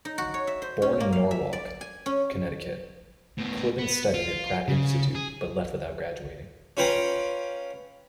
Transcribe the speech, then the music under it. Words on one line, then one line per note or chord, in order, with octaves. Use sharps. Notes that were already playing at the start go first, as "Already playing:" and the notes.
Born in Norwalk, Connecticut, Kliban studied at Pratt Institute but left without graduating.
D#4
F#4
C#5
E5
C5
C#4
A#3
F5
E5
D5
G#5
C#4
A2 B3
B3
F4
C#3
G#4
C#4 F4 B4 G5 A#5